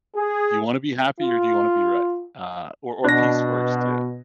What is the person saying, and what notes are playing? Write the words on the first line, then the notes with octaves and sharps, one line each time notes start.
Do you wanna be happy or do you wanna be right? Uh, or or peace works too,
G#4
F4
B2 D4 A#6